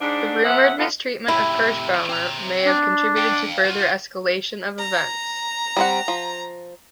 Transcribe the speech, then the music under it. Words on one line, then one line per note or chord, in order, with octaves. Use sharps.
The rumored mistreatment of Kerschbaumer may have contributed to further escalation of events.
G#2 D4
F2 B3 C4 E5 F#5
D3 E3 B3 F4 A4
A2 C3 E4
C4 A#5
D4
F5 G5
F4 F#4
A#5
G3 C4 F#5
F3